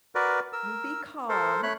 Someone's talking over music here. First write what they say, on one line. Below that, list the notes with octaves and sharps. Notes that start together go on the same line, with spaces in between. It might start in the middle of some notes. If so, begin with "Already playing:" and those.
you be calm,
F#4 A#4 B4 D5
A#4 E6
A4 A#4 C5
A3 C#5 B5 F#6